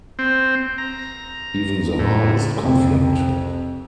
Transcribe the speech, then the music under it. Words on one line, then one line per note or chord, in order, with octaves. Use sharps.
Even the hardest conflict.
C4
A#5
A2
C2 F2